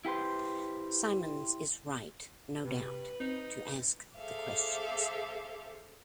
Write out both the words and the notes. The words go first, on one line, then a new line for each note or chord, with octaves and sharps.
Symonds is right, no doubt, to ask the questions.
E4 G4 B4 C5
G2 C3 B4
C4 D#4
G#4 A4 C5 E5 F5 D6